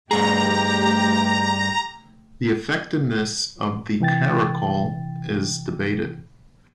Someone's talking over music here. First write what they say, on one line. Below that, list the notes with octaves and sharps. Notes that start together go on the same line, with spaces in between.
The effectiveness of the caracole is debated.
G2 A3 G4 G#4 A#5
C3 E3 G5 A6